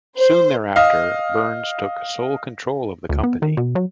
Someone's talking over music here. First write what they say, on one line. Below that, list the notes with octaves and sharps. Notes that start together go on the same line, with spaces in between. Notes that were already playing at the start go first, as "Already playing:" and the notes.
Soon thereafter, Berns took sole control of the company.
C5
D#5 F5
D2
B3
D#3
B2
F#3